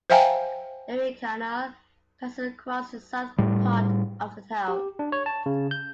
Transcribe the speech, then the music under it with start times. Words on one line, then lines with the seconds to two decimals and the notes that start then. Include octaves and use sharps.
The Erie Canal passes across the south part of the town.
0.10 C5 E5 F5 G5 G#5 A#5
3.38 A2 G3
4.68 G4
4.99 D4
5.12 C#5
5.26 A5
5.46 C#3
5.71 G6